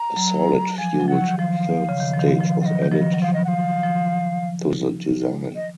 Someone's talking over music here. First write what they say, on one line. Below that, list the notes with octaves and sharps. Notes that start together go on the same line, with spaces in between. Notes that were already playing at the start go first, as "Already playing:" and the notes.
A solid-fueled third stage was added to the design.
Already playing: A#5
F#3
F3 G#5
F#3
F3 F#5
D#3
F3 F5
C#3
D#3
F3
D#3
F3
F#3 D#5 F5
D#3
F3 D#5
F#3
F3 F5
D#5
F#5
F5
F3
D#5